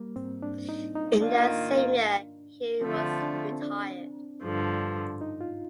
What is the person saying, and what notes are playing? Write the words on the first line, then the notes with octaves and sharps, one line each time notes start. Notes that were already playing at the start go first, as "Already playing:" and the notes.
In that same year he was retired.
Already playing: G3 A#3
C4
D4
D#4
D#4
D#3 A#3 D4 F4
D3 F3 A3 C4
D4
C4
D4
G2 D3 F3
D#4
F4